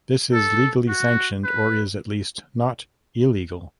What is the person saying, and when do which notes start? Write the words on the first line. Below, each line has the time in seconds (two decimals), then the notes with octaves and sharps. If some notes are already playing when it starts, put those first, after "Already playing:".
This is legally sanctioned or is, at least, not illegal.
0.33 A4
0.88 F#4
1.44 B4